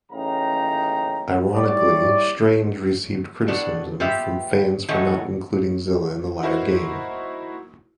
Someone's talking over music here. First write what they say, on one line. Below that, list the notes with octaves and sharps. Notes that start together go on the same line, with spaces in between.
Ironically, Strange received criticism from fans for not including Zilla in the latter game.
A1 C#3 D#4 F5 G5 A#5
G3 E4 C#5 D5
A2 B3 D4
B3 F4 G4 B4 E5
A2 E3 F#3 G#3 A3
D#4 E4 F#4 A#4 C5